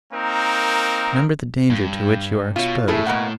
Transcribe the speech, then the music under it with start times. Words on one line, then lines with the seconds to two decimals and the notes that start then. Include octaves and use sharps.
Remember the danger to which you are exposed.
0.13 A#3 C4 D#4 A#4
1.70 G2
2.56 B2 F4 C#5
2.88 A2 E4 G#4 A4
3.07 B2 A#3 F#5